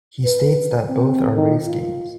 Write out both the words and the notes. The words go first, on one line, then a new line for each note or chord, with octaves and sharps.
He states that both are race games.
B4
C4
D#3
F4